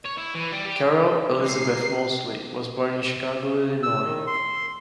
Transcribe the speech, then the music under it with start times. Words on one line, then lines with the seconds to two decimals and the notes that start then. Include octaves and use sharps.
Carol Elizabeth Moseley was born in Chicago, Illinois.
0.06 C#5
0.18 E4
0.35 E3
0.52 G3
0.65 G4
1.40 G#3 D#4 C7
3.83 E6
4.05 D#3
4.27 C6